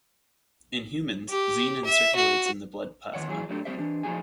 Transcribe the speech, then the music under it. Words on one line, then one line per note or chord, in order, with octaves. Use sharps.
In humans, xenin circulates in the blood plasma.
G4
E5
F#4
E2 G2 D#3 C#5 F#5
E3 F#3 G#4
F#3 A3 D4 G4
F#3 G3 C4 G4 C5 E5
E3 D4 G4
F3 D#4 F#4 G#4 G#5